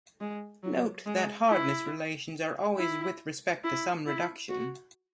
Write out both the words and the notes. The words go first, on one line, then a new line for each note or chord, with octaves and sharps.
Note that hardness relations are always with respect to some reduction.
G#3
F#3
G#3
E4
E4
E4
E4
F#4